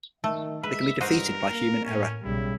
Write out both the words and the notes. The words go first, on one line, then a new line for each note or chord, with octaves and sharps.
They can be defeated by human error.
D#3 A3
G#3 B4 E5
G2 F#4 A#4 C5 D#5
A#3
A2 C#4
B1 C#3 G3 E4